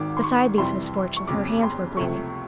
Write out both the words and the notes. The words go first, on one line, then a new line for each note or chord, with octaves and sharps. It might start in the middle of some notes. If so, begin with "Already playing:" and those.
Beside these misfortunes her hands were bleeding.
Already playing: G#1 G#2 D#3 D6
C6
C#6
F2 C3 E3 G3 C6
C#6
G1 F2 C#3 D6
C6
C#2 C3 F3 A3 C#6